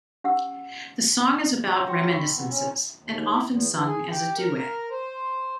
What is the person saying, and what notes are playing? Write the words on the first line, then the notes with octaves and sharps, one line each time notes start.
The song is about reminiscences, and often sung as a duet.
C#4 G4 F#5 E6
F#3 C5 C6
C4 A#5 C#6
E4
B3
C#4
D#2
E4
E2
E3
G#4
G4
A#4
C5